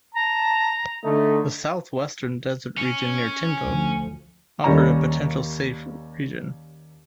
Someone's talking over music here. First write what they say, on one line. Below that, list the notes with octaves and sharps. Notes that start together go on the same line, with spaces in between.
The south-western desert region near Tindouf offered a potential safe region.
A5 A#5
D3 A3 D#4
C#4
D2 F3
D#2 G3 C#4 C#5 A#5